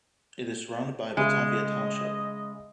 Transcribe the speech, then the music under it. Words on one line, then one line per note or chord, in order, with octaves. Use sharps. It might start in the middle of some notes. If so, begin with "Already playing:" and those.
It is surrounded by Batavia Township.
C#3 G#3 D#5 E5 G#5